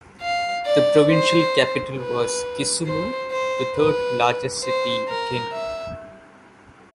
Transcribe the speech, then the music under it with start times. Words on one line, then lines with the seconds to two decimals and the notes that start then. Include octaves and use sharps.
The provincial capital was Kisumu, the third-largest city in Kenya.
0.21 F5
0.66 D5
1.10 C5
1.98 B4
2.86 C5
3.31 C5
3.75 B4
4.64 C5
5.08 A#4
5.52 E5